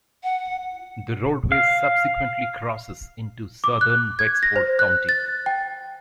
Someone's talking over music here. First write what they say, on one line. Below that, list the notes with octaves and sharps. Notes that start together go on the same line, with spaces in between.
The roadway subsequently crosses into southern Wexford County.
F#5
F5
D6
F#6
G#6
A#6
C5
F#6
A6
G5